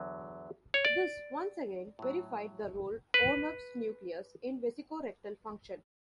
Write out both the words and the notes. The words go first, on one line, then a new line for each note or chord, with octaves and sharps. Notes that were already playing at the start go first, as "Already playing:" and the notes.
This, once again, verified the role Onuf's nucleus in vesicorectal function.
Already playing: E2 D3 F#3
C#5
D5
A2 F#3
B4